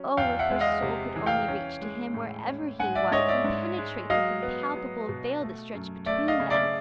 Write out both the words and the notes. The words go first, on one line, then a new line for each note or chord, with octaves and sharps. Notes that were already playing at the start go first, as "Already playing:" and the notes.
Oh, if her soul could only reach to him, wherever he was, and penetrate this impalpable veil that stretched between them!
Already playing: F#3 C#4
E2 F5 G5
E5 F#5
G#3
D#5 F5
C3
E3
F5 G5
C#4
G#3
A2
C#4
G#2 F#5 G#5
D5 E5
G#2 C#5 D#5
D5 E5
G#2
G#3
F#3 D#5 F5
B3
F#3
B2
A3
F#2
A3 D5 E5
D#5 F5
C#3
D5 E5